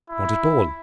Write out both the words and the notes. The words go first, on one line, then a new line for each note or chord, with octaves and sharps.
"Not at all."
E4